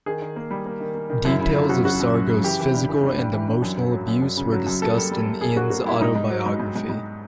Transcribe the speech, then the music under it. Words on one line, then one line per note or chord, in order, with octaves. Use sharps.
Details of Sargo's physical and emotional abuse were discussed in Ian's autobiography.
D#3 G#4
D#3
A#3
G3
A#3
D#3
A#3
D#3
F#2 E4
C#3 E4
C#3 F4
F#2 F#4
C#3 F#4
F#2
F#2
C#3
E3 G4
E3
G2
E3
G2
G2
E3
G2
F#2
F#3
F#3
F#2
F#2
C#3
F#3
F#2
A#3 A4
G3
G3
A#3
A#3 G#4
A#3 F#4
A#3 F#4
G3 E4
G#2 D#4
G#2
F#3
G#2
G#2
G#2
G#2